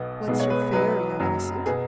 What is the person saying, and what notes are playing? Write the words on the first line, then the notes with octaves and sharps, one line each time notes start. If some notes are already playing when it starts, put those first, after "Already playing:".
"What's your fare, young innocent?"
Already playing: B1 B2 B3
B1 B2 G#3 B3
C#5
B4
B4
B1 B2 F#3 B3 B4
F#1 F#2 F#3
B2 B3 G#4